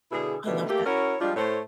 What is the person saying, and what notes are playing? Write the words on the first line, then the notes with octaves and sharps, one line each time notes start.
I love that.
B2 D3 D4 E4 G#4
B2 D3 D#3 G3 A3 B3
A3 A#3 G4
C#4 E4 F#4 A#4 C#5
F3 G3 G#3 D4 F4
A2 A3 A4 C5 C#5